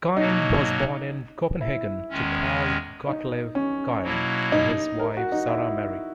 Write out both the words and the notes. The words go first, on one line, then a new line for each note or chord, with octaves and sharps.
Kyhn was born in Copenhagen to Carl Gottlieb Kyhn and his wife Sara Marie.
B2 F#3 A#3 D#4
E4
E2 D#3 G#3 C#4
D#4
C#4
B2 F#3 A#3 E4
D#4
A#4
F#4
D#4
E4